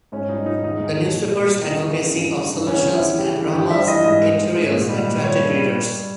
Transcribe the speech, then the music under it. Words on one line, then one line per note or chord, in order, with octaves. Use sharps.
The newspaper's advocacy of solutions and Rahman's editorials attracted readers.
G#2 C#4
G3 D#4
G#2 D#4
E2 D#4
E2
B2
A#2
G3
G3
E2 D#4
E2
C#3
G2
G3
G2
E2 C#4
E2
E4
G3
E3 G4
E3
G2 G4
G3 E5
E3 D#5
G#2 D#5
G#2
G#2
G#2
A#2
G3
A#2
G3 C#5
G2
G3
G3
G3